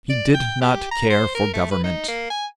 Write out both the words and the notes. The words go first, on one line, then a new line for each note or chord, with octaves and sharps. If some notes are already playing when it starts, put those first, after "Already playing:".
He did not care for government.
D5
G5
G4
A#5
C5
A#4
A3
B4
D#4
A#3
G#5